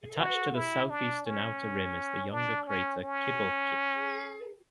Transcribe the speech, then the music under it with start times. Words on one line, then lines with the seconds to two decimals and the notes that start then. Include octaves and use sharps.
Attached to the southeastern outer rim is the younger crater Kibal'chich.
0.19 F#4
0.54 E4
0.90 D4
1.25 C#4
2.31 D4
2.67 C#4
3.03 C#4